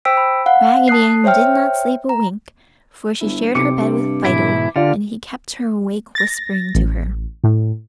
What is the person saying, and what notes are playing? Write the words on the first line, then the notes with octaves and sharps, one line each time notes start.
Raggedy Ann did not sleep a wink, for she shared her bed with Fido and he kept her awake whispering to her.
C5 G5 E6 B6 D7
B5
F5 F#5 F#6
A5 D#6 F#6 C7
C5 C#5 E5 G5 F6
A#5
G1 E4
B1 C3 C4 D6 C#7
G2
G#2 B2 E3 E4
D3 F4 G4 D5 F5 F6
A6 A#6
A1
A2